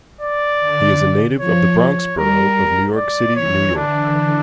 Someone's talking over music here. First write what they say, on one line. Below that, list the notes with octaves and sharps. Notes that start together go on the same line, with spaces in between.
He is a native of the Bronx borough of New York City, New York.
D5
D3
F3 C#5
C#5
G3 A#4
D5
E3 C#5
D3 D4